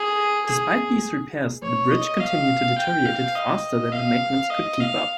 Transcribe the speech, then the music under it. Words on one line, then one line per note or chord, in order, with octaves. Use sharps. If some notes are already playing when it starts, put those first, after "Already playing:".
Despite these repairs, the bridge continued to deteriorate faster than maintenance could keep up.
Already playing: G#4
G#4
C#5
D#5
F5
G5
F5
D#5
F5
D#5
F5